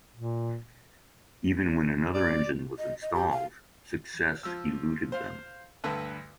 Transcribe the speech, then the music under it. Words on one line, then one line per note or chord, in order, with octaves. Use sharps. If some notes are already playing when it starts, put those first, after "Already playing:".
Even when another engine was installed, success eluded them.
A#2
D5
D#5
D#5
G4
F5
F3 E6
C5 F5
D2 G2 A4 B4 A5